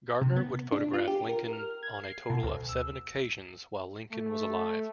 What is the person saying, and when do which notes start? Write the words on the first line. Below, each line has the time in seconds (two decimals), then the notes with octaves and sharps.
Gardner would photograph Lincoln on a total of seven occasions while Lincoln was alive.
0.22 C3
0.36 B3
0.72 D4
0.93 F4
1.08 G4
1.29 A#4
1.53 F6
1.83 G#6
2.04 C7
2.30 B2
2.43 D2
2.69 E6
4.11 A3